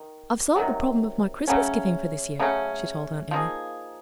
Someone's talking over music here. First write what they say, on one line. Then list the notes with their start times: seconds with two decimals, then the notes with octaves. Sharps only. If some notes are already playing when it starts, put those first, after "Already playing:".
"I've solved the problem of my Christmas giving for this year," she told Aunt Emmy.
Already playing: D#3
0.56 C3 D#3 F#3
1.48 C#3 F#3 A3 C#4
2.39 C#3 F#3 A3 C#4
3.31 F3 A#3 D#4 G#4